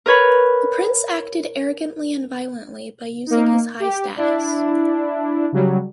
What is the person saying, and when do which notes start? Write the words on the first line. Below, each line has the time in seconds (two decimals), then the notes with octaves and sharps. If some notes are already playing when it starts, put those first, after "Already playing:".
The Prince acted arrogantly and violently by using his high status.
0.06 A#4 B4 C#5 B5
3.26 A#3 D#4
3.80 G4
4.17 D4 E4
5.52 C#3 F#3 G3